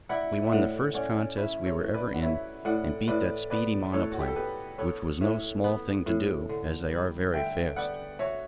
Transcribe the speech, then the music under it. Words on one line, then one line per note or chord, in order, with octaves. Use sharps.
"We won the first contest we were ever in, and beat that speedy monoplane, which was no small thing to do, as they are very fast."
E4 D5 F#5
E5
A2 D5 F#5
C#4 D5 F#5
E4 C#5 E5
A4 C#5
A2
B4 D5
F#5
E4 C#5 E5
A2 D5 F#5
A2 B4 D5
B3 B4 D5
A2 A4 C#5
F#4
G4
A4
B3 G4 B4
B3 A4 C#5
A2 C#5 E5
B3
A2
D3
G3
D3 E5 G5
B3 D5 F#5
F#4 C#5 E5